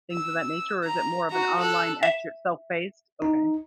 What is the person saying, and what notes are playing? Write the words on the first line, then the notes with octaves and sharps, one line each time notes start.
things of that nature, or is it more of an online at your self-paced? Okay.
E6
A#5
F#4 A#5
A4 F#6
E5
D#4